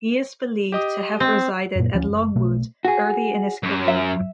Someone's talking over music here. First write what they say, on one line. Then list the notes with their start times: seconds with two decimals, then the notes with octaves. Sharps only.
He is believed to have resided at Longwood early in his career.
0.72 G4 D#5 D#6
1.20 C4
1.75 F#2 A#2
1.93 D2 F3 C#4
2.08 F#1
2.36 B1 B2 A3
2.85 F#4 G#4
3.63 F#2
3.88 E5